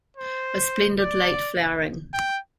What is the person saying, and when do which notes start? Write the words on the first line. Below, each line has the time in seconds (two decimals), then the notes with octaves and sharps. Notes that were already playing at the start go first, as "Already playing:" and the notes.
A splendid late flowering.
0.17 C5
1.01 D5
2.14 G5